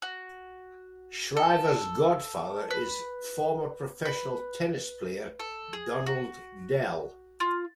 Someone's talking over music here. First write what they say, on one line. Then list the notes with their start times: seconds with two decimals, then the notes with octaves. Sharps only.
Shriver's godfather is former professional tennis player Donald Dell.
0.02 F#4
1.37 A4
2.71 B4
4.05 B4
5.39 A4
5.73 G#4
6.06 F#4
7.40 F4